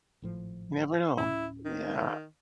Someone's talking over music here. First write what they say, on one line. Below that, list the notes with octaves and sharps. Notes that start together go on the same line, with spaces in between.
You never know, yeah.
G#1 A2 F3
D1 A2 C#4 E4
D#3